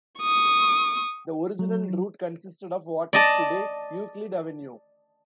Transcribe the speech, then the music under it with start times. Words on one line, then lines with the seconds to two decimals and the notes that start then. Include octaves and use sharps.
The original route consisted of what is today Euclid Avenue.
0.20 C#6 D#6
1.59 F#3
3.13 D5 D#5 A5